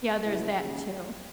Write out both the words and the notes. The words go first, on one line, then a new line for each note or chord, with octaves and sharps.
Yeah, there's that too.
C#2 B2 A3 E4 G#4
D#2 C#3 F#3 C#4 G#4